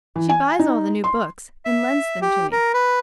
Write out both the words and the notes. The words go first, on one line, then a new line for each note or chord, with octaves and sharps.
She buys all the new books and lends them to me.
E3
G#5
D#4
C6
E5
G4
A#4
B4